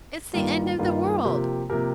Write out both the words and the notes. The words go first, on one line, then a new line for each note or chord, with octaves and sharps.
It's the end of the world.
G2 D#3 G3 A#3 F4
G2 D#3 G3 A#3 F4
C3 F3 A#3 G4 A#4
C3 F3 A#3 G4 A#4